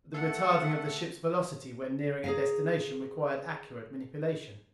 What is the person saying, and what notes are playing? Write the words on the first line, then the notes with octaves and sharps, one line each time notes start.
But the retarding of the ship's velocity when nearing a destination required accurate manipulation.
A3 A4 F#5
G#4 A#4 F5